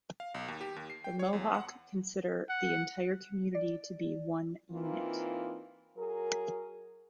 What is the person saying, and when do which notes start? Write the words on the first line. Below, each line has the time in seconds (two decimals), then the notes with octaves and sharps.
The Mohawk consider the entire community to be one unit.
0.20 F5
0.34 B1
0.48 D#2
0.61 G4
0.76 D#2
0.90 C7
1.04 G5
1.19 C#5
1.33 E2
1.54 F#5
2.49 F#5
3.55 D5
4.71 E3 A#3 C4 D#4 F4
5.97 F#3 G#4 A#4